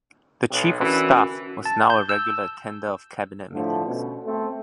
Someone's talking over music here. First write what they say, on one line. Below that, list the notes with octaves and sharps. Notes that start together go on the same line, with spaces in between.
The Chief of Staff was now a regular attender of cabinet meetings.
B1 G5 F#6
D3 E3 C#4 F#4 A#4
A5
G6
E6
A2 D3 F3 A3
B2 C#4
A3 C4